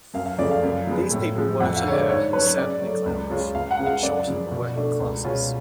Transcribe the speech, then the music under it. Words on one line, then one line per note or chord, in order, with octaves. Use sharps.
These people were to her, certainly clownish — in short, the working classes.
F#2 F5
F5
C#3 F3 A3 D5
F5
F#2
F3 G#3 B3
A2
F3 G#3
F2 F#5
F5
D3 G#3 C#5
D5
G#2 C#5
F#3 C#4 B4
C#3 D5
F#3 A3
C#2
C#3 G#3 C#4 F4
C#2 F5
F#5
C#3 G#3
F5
F#2 D5
C#3 F3
B2
A3 D4
C#2
B2 G#3 C#4 F4